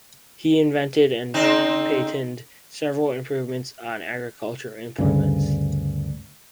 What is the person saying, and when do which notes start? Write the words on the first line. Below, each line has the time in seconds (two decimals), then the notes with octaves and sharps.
He invented and patented several improvements on agricultural implements.
1.34 C#3 C4 D#4
4.98 D2 G2 C#3